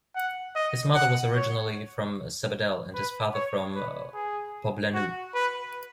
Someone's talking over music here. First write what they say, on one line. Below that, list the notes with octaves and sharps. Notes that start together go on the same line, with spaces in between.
His mother was originally from Sabadell and his father from Poblenou.
F#5
D#5
F#5
C#5
B4
C#5
B4
G#4
F#4
B4